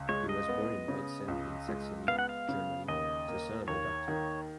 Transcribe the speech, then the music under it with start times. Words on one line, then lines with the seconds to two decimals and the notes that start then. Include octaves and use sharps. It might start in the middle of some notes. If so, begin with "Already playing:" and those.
He was born in Bautzen in Saxony, Germany, the son of a doctor.
Already playing: C#2
0.09 G#3 C#5
0.29 D#5
0.49 B3
0.88 C#3
1.28 C#2
1.69 G#3
2.08 B3 F5
2.19 F#5
2.29 F5
2.49 C#3
2.88 D#2 D#5
3.28 A#3
3.67 D#2 C#5
4.08 D#3